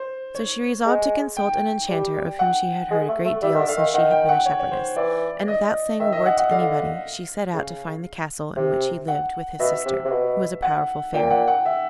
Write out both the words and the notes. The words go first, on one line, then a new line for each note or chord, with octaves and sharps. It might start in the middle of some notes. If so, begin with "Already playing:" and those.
So she resolved to consult an Enchanter of whom she had heard a great deal since she had been a shepherdess, and without saying a word to anybody she set out to find the castle in which he lived with his sister, who was a powerful Fairy.
Already playing: C5
C#5
G#3
G5
G3
F#5
G#3
A3
A3
G3 E5
D#3
D3
F5
D#3
D#3 F#5
G5
F#5
C#5
C#5
C5
E3 D5
D#5
D#3 E5
D#5
F#5
F#5
D3 F5
C#3
C3
F#5
B2 E5
C3
C3
B2
F#5
A#2 G5
F#5
F#5
E5